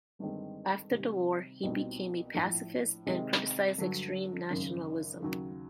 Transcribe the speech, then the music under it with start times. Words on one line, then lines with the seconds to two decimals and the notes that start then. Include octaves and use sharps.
After the war he became a pacifist and criticized extreme nationalism.
0.19 G1 G2 D#3 G#3 C4
0.91 C3 D#3 G3
1.63 C2 B2 G3 C4 D#4
2.35 A#1 A2 F3
3.06 C3 D#3 G#3
3.78 G2 D3 F#3
4.50 G#1 F#2 C#3
5.22 D#2 C#3 F#3